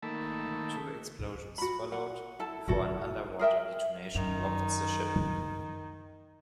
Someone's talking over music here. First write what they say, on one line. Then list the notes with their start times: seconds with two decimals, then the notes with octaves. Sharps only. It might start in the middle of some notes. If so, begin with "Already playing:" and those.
Two explosions followed, before an underwater detonation rocked the ship.
0.03 D#3 A3 A#3 A5 B5 E6
1.58 F#4 B5
1.92 F#5
2.39 E4 A4 A5
2.68 E4 F#4 A4
3.39 G#4 A#4 E5 G5
4.15 F#2 D#3